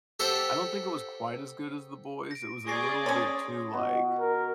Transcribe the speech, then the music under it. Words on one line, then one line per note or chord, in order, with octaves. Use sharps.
I don't think it was quite as good as The Boys, it was a little bit too, like
G4 A4 C5 E5 F#5
A#6 D7
G#4 D5 C#6 A#6 C7
C#4 C#5 C6 D#6
B2 F#4
A#4